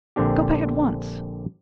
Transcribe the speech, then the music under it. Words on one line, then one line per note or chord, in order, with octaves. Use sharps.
Go back at once!
A#1 D3 C4 D4 G4